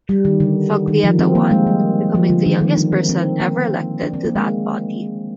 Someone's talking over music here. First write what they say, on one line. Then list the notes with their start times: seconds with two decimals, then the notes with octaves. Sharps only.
Foglietta won, becoming the youngest person ever elected to that body.
0.09 G3
0.25 D#3
0.40 D3
0.88 D#3
1.04 F3
1.19 C4
1.35 A#3
1.51 G#3
1.67 G3
2.15 F3
2.30 D3
2.46 D#3
2.61 D#3
2.77 D4
2.92 C4
3.09 C4
3.40 A#3
4.03 D4
4.14 C4
4.25 A#3
4.36 G#3